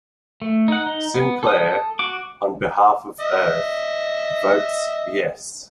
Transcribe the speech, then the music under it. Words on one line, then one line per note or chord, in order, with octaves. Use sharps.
Sinclair, on behalf of Earth, votes "Yes".
A3
D#4 F#5
D#4
B3
A4 D#6
F#4 D6
D#5 E5